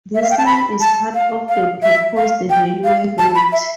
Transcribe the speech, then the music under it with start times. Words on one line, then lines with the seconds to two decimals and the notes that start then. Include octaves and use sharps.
This line is part of the proposed railway route.
0.15 E5
0.22 F5
0.30 G5
0.38 A5
0.46 B5
0.80 A5
1.14 F5
1.49 F5
1.82 E5
2.17 F5
2.50 G5
2.84 F5
3.18 A5
3.35 B5
3.52 E5